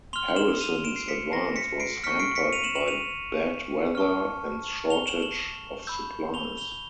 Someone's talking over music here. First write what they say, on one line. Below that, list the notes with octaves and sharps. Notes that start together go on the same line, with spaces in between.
Harrison's advance was hampered by bad weather and shortage of supplies.
C6 F6 F7 G7
E7 F#7
D#7 F7
D7 E7
C7 D7
B6 C#7
A#6 C7
B6 C#7
C7 D7
C#6 F6 B6 C#7
C7 D7
B6 C#7
D#7 F7
E7 F#7
E7 F#7
D#7 F7
A5 C#6 F6
F7 G7
E7 F#7
E7 F#7
B5 E6 G6
F7 G7
F7 G7